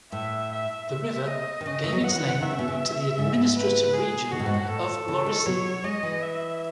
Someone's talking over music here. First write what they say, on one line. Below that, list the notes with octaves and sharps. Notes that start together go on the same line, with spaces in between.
The river gave its name to the administrative region of Mauricie.
A2 E5
E5
E5
D#5
D#3
C#3 D#5
E3
F#3
E3
F#3 F#5
E3
D#3 E5
C#3
B2
C#3
G#2
B4
G#4
B2 F#4
A2
G#2
A2
A4
C#3
D#3
F#3 C#5
G#3 D#5
E3
E5